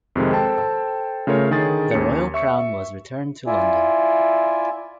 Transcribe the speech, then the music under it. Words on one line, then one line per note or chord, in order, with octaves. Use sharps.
The Royal Crown was returned to London.
F2 C3 D#3 G#3
A4 C5 G5 A5
C#3 A3 F4 A#4 C#5
D3 D#3 G#4 A6
D#2 C#4 C#7
E5 C#6 C#7
E4 F4 D5 E5 G#5